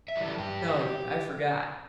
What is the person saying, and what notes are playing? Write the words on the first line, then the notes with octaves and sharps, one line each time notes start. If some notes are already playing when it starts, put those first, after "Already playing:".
Golly, I forgot.
E5
E3 G3
A4
G2 G4
E3 G3